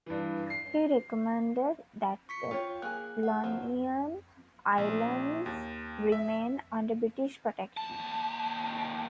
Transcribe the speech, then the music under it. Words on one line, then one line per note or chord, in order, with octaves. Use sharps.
He recommended that the Ionian Islands remain under British protection.
G2 E3
C7
C#6 B6 C#7
F4 C#5 G5
A#3 G#4 F#6
F#5
F3 F#3 C4
A#1
D#2
E5
D#2 A5